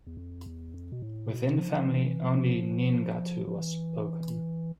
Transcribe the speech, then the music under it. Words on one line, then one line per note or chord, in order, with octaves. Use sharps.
Within the family, only Nheengatu was spoken.
E2
F2
E2
F2
B2
A2
B2
C3
F3
F3
E3
F3
E3
F3
F3
E3